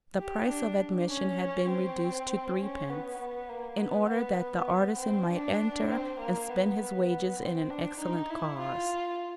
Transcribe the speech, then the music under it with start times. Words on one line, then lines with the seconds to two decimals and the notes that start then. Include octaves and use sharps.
The price of admission had been reduced to threepence, in order that the artisan might enter and spend his wages in an excellent cause.
0.19 G4
0.49 D4
1.09 C#4
1.69 C4
2.60 C#4
2.89 B3
3.19 B3
3.49 A#3
3.79 B3
4.10 B3
4.39 B3
4.99 C4
5.30 D4
5.90 C4
6.20 A#3
6.50 B3
6.80 B3
7.40 C4
7.70 D4
8.00 D#4
8.30 E4
8.60 F4